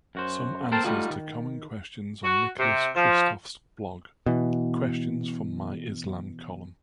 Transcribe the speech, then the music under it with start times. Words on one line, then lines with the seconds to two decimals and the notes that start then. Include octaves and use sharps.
Some answers to common questions on Nicholas Kristof's blog: Questions from My Islam Column.
0.15 F#2 F#4 C5
0.71 A#3 A4 A#4 C5 G5 A5
0.84 G3 A3 D#4 F4 F#4
1.10 D#3
2.24 F#4
2.59 C3
2.96 F3
4.26 B2 E3